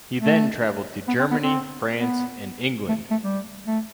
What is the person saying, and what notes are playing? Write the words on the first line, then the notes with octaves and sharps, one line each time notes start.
He then traveled to Germany, France, and England.
A3
B3
C4
B3
C4
B3
A3
A3
G3
A3